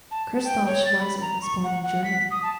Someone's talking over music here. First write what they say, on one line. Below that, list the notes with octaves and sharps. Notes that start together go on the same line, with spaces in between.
Christoph Schweizer was born in Germany.
A5
G5
C#5
A6
B5
A#5
C#6
F#5
F#5
B6
D#6
A5